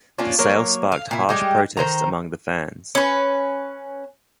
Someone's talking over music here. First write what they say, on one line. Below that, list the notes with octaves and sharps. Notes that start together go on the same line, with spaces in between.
The sale sparked harsh protests among the fans.
A#3 C#4 D4 F4
F#3 A#3 C#5
F5
A#2 E4
G3 G#3 G4
D#3 C5 A#5
C#4 B4